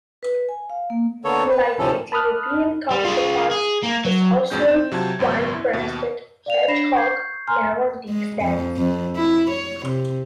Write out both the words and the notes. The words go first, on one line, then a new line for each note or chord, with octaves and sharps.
Unlike its European counterpart, the Southern white-breasted hedgehog never digs dens.
B4
G#5
F5
A#3
D3 A#3 B3 A4 C#5
B4
D2 A2 C3 F3 C#4 A4
A5 B5 D#6 F6 F#6
G3
F4 G#4
G#4
A#3
F#3
A1 F2 B2 G#3 C#4 G6
C4 E7
C3 F#3 F4 A5 G#6
G#1 C#2 F#2 B3
E4
D#2 B2
D5 F5 F7
D4 C#5 B5 A#6 C7 E7
C#6 G6 G#6 C7
G#5 A#5 C6 F6
G#3
F2
F2
E4
C#5
C3